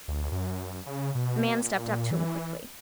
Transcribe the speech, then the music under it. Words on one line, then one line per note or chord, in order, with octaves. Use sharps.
A man stepped up to him quickly.
D2
F#2
C#3
B2
A#2
E3